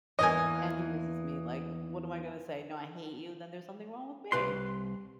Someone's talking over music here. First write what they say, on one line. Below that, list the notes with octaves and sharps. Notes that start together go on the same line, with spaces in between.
and he misses me, like, what am I gonna say? "No, I hate you," then there's something wrong with me.
E2 E3 A#3 D#5 G#5
C2 B4 C6